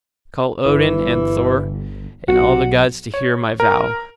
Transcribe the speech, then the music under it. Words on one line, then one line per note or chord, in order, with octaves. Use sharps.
I call Odin and Thor and all the gods to hear my vow.
G1 E3
B1 F#4
C#5
A#4